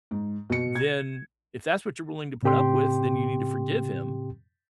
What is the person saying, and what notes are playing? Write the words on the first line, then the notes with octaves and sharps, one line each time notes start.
Then, if that's what you're willing to put up with, then you need to forgive him.
G#2
B2 C#7
G#6
A2 C#3 C4 G4 G5 C6